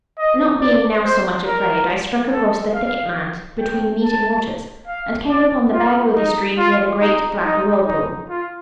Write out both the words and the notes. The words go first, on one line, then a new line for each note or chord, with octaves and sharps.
Not being now so much afraid, I struck across the thicket land between the meeting waters, and came upon the Bagworthy stream near the great black whirlpool.
D#5
D5
C5
A#4
A4
F5
G5
A5
F5
D5
F4
D#4
F4
D#4
D#4
D#4
F4